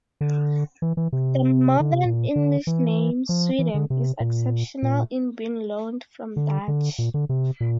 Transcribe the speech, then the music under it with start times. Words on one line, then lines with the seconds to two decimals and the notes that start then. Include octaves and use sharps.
The modern English name "Sweden" is exceptional in being loaned from Dutch.
0.21 D3
0.82 E3
0.97 E3
1.13 C3
1.80 D3
1.92 C3
2.05 A#2
2.36 D3
2.67 E3
3.29 F3
3.59 E3
3.74 D3
3.90 C3
4.20 A#2
4.83 A#2
6.36 D3
6.68 D3
6.99 A#2
7.14 D3
7.29 C3
7.61 A#2